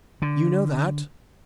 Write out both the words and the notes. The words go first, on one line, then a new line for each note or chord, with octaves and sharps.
"You know that?"
D3